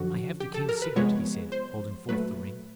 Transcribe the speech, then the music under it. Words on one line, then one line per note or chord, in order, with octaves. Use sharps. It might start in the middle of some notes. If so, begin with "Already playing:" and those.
"I have the king's signet," he said, holding forth the ring.
Already playing: F#2 D3 F3 F#4
G4
A4
A#4
B4
C3 F3 G#3 B3 C#5
C5
A#2 F#3 A3 B4